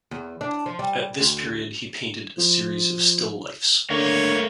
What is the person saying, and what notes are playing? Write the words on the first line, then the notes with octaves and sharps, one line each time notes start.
At this period he painted a series of still lifes.
E2
D4
F3
G3
D2
F3
D3 A3 A#4 C#5 F5